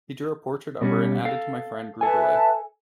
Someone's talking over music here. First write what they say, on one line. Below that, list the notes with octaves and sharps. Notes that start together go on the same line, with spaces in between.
He drew a portrait of her and added To my friend Gribouille.
B2 G3 C#4
A4 F5
A4 B4 E5 G#5 A5